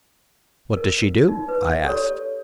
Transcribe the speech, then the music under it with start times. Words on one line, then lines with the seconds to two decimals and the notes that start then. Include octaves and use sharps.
"What does she do?" I asked.
0.77 A#4
1.28 D#4
1.48 B4
1.84 G4 A4 C#5